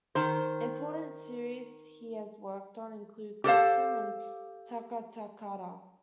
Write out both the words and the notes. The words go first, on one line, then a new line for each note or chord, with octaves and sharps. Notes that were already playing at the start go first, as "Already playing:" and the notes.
Important series he has worked on include "Clifton" and "Taka Takata".
D#3 C5
G4 A4 C5 F5